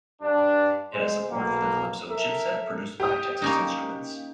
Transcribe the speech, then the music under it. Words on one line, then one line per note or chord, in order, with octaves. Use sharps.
It has support for the Calypso chipset produced by Texas Instruments.
G2 D4
G#3 C5
B1 A#3
A4 A#4 E5
G4 D#6
A#3 C#4 D#4